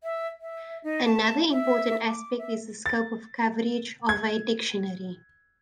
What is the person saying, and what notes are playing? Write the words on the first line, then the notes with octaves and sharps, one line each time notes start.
Another important aspect is the scope of coverage of a dictionary.
E5
E5
D#4
A5
E5
D6
E5
A6
G#6